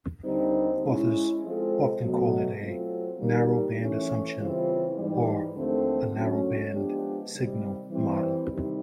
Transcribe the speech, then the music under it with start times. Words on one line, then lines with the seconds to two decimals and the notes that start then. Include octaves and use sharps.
Authors often call it a "narrowband assumption", or a narrowband signal model.
0.24 D#2 D3 G3 C4 D#4
0.84 G#3 C#4 E4
1.42 F3 G#3 C4 F4 A4
2.02 B2 F#3 A3
2.61 F#3 A3 C4 F4
3.19 D#3 G3 A#3
3.79 E3 A3 C#4 E4
4.37 C#3 E3 G3 C4 F4
4.96 G#2 E3 G3
5.55 D#2 D3 F3 A3 C4
6.14 D3 F#3 A3 C#4
6.73 F3 G#3 B3 D4 G4
7.32 C3 D#3 G3 C4
7.91 E3 G3 C4
8.50 C3 D#3 G3